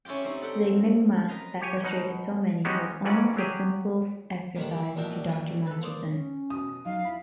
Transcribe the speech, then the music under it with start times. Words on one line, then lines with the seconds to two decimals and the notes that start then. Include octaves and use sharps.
The enigma that frustrated so many was almost a simples exercise to Dr. Masterson.
0.05 C#4 E4 F4 G4 G5
0.24 G3 C4 C#4 D#4 E4
0.42 A4 F#5 G5
1.28 A#4 B4 D#5 A#5 C6
1.61 G4 C#5 G#5
1.84 B2 D#4 F#5
2.65 G#3 B3 C#4 D#4 F#4 G4
3.04 F2 G#2 E3 C#4 D5 F#5
3.37 F#3 G4 G#4
4.56 D3 D#3 G3 A#3
4.71 E4 G4
4.96 A#1 B2 D4 A#4 E5 G5
5.67 A4 B4
5.81 A#3 C5 D5 D#6
6.12 C#4 C#5
6.50 B2 F#4 D#6
6.85 F#3 D#4 F5
7.05 E4 F4 B5